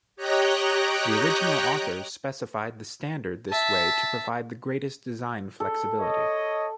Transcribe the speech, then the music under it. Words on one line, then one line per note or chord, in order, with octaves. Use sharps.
The original authors specified the standard this way to provide the greatest design flexibility.
G4 C#5 D#5 G5 A#5 F#6
E5 A5
A4
C#5 D#5